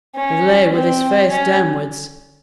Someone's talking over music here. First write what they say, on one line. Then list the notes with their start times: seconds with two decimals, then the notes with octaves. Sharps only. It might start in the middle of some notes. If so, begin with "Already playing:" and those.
He lay with his face downwards.
0.16 C#4
0.73 C4
1.30 C#4